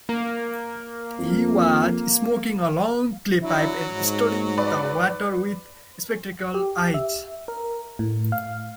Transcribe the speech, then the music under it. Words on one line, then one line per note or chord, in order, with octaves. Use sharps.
He was smoking a long clay pipe and studying the water with spectacled eyes.
A#3
F2
F#3 D4 E4
G#2
B4 D5
G4
E5
A#4
A2
F5